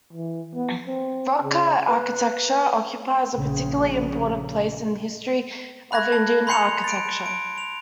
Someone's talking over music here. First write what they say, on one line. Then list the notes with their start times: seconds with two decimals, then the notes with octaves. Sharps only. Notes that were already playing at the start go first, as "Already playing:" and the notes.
Rock-cut architecture occupies a particularly important place in the history of Indian Architecture.
0.13 E3
0.55 B3
0.87 C4
1.43 C#3
1.88 B4
3.35 A#1 C#3
5.92 B5 F#6 G#6 A#6
6.12 A5
6.47 B5 C6 G6 C7 C#7 F7
6.84 A6 D7
7.26 D7
7.58 F7